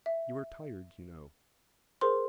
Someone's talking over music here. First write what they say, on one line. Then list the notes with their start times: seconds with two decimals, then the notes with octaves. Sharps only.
You are tired, you know.
0.06 E5
2.01 G#4 A#4 C5 C6